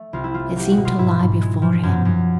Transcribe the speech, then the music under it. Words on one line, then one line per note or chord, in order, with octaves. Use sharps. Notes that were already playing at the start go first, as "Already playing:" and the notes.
It seemed to lie before him.
Already playing: A3
C2 F4
E4
A3 F4
F#3 G4
F#4
B2
F4
G#2 E4
G#2
G#3
F3
F#2
F#2